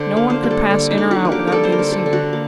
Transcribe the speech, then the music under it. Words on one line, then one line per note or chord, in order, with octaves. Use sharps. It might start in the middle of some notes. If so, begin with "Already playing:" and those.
No one could pass in or out without being seen.
Already playing: D3 C5
A#3
C5
G3
A4
D3
D#4
D3
F#4
A#3
G4
G3 A4 A#4
C5
A#4
D3
A4
D3
F#4
A#3